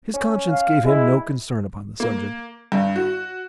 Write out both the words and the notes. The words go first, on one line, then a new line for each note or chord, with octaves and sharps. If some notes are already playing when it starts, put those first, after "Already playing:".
His conscience gave him no concern upon the subject.
C#4
F5
G#3 E4
A#3
G2
F#4